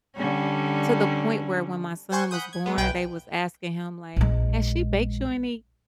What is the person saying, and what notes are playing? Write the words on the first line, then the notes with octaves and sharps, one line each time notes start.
to the point where when my son was born, they was asking him like, "Has she baked you any
D3 G3 C#4
C5 F#5 G#5 C6 C#6
F#5 B5 D#6 G6
G#6
G#3 B3
B1 B4 G5 G#5
A#1 G#3